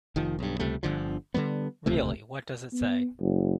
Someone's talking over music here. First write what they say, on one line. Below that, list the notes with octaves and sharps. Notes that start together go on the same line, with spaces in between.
Really, what does it say?
F1 D#3 F3
B1 G2
C#2 C3 G3 A3
G1 D3 F3
D3 E3 G3 B3
D#1 C#2 C3 A3
B3
F#1